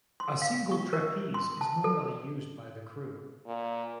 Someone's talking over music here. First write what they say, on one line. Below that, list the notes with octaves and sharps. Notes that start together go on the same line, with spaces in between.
A single trapeze is normally used by the crew.
C6
F5
C#6
A#4
C6
A5
A4
A#2